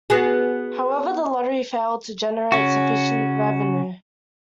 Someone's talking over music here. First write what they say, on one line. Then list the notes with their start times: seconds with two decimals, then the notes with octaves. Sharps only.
However the lottery failed to generate sufficient revenue.
0.10 B3 F#4 G#4
2.52 C#3 C#4 F#4